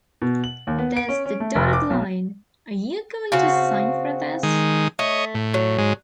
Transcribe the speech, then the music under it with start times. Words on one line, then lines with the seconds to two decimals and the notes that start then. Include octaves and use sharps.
There's the dotted line, are you going to sign for this?
0.22 B2
0.44 F#7
0.67 D#2
0.78 B3
0.97 D7
1.09 C#4
1.26 C#4
1.40 A3
1.55 F1
1.73 D6
1.90 B1
3.32 C#3 C4 F#4
4.43 D#3 G#3
4.99 A3 C#5 D#5
5.35 A2
5.54 F#3
5.78 G#2 G#3